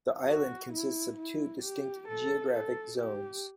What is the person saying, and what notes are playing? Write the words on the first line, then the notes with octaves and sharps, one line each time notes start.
The island consists of two distinct geographic zones.
F#4
E4
E4
G4
A4
A4
G4